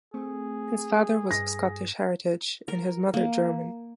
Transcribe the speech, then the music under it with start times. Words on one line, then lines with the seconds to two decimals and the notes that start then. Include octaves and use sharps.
His father was of Scottish heritage and his mother German.
0.14 A3 C4 G#4
1.31 G2 A#6
2.68 A#4
3.14 A#3